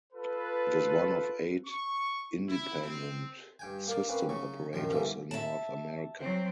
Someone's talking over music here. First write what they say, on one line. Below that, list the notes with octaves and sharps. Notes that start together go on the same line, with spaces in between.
It is one of eight Independent System Operators in North America.
F4 A4 B4
C#6
E4
C4
G2 G5 G#5
A#3 A#4 D5
A#3 C4 C#4 B4
C#3 F#3 C#6
A#1 F#2 D#3 C6
G2 B2 D3 E3 A#3
E5 A5
F#3 C4